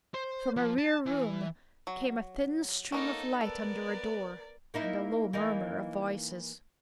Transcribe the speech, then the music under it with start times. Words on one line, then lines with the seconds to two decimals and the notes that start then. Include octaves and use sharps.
From a rear room came a thin stream of light under a door and a low murmur of voices.
0.14 C5
0.56 F3
0.78 A5
1.06 E3
1.87 F#3
2.92 A#3 B3 C#4 D#4 A4
3.41 B3 A4 A#4 D5
4.74 A#3 D#4 E4
5.33 E3 A#3 D#4